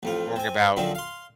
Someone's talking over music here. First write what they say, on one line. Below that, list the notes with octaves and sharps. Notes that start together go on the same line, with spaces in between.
worrying about,
A1 F2 F4
C4 G#5
F#2 D3 F3 C4 D4
F5 C6